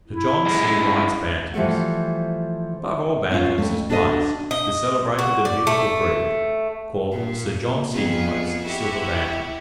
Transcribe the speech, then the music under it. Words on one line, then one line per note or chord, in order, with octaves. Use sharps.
SIR JOHN SEBRIGHT'S BANTAMS.--Above all Bantams is placed, the celebrated and beautiful breed called Sir John Sebright's Silver Bantams.
E4
F#2 G#3
E3 F3 G3 A3 F#4
C#4 F4
F2 A3
D4 F#4 A4 D5 D#5
D#5
F#4
D5
A3
A#2
F2 B3 G#4
E4 F#4 G4